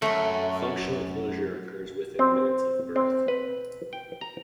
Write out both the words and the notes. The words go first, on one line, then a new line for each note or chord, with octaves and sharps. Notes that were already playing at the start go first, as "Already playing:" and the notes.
Functional closure occurs within minutes of birth.
F#2 A3
C4
C4
B4
G5
A#5